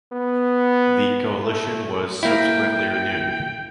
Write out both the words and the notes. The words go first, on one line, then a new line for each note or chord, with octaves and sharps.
The coalition was subsequently renewed.
B3
A3
A#3 E4 G5